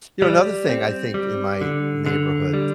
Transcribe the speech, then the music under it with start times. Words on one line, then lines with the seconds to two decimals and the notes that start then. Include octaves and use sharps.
You know, another thing I think in my neighborhood,
0.22 G3
0.69 C4
1.14 G3
1.61 D3
2.06 D3
2.54 G3